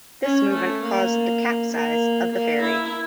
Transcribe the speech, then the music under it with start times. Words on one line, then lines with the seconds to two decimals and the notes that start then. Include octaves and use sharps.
This movement caused the capsize of the ferry.
0.23 C#4
0.53 A3
0.82 A#3
1.72 A#3
2.31 A#3
2.61 E4